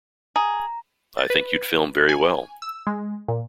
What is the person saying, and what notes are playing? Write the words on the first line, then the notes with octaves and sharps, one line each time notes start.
I think you'd film very well.
G#4 A#5
A6
B4
G#5
E6
G#3
A#2